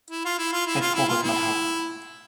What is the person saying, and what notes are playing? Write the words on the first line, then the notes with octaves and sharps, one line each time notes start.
I forgot my hat.
E4
F4
E4
F4
E4
F4
E4
F4
E4